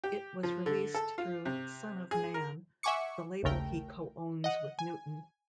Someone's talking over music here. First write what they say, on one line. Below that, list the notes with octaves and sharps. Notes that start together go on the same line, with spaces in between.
It was released through Son Of Man, the label he co-owns with Newton.
G4
F3
D3
A4
F4
C3
G#4
A#4
E5 F#5 G#5 C#6 D6 C#7
A#1 D#2 C#3 A3 A#4 G5
D#5 F#5
G#5